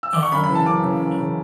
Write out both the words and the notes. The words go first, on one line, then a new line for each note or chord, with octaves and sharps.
Um. Hmm.
E6
D6
C#6
F#2 B5
B5
C#3 E3
A5
F#2 D6
C#3 E3
F#2
C#3 E3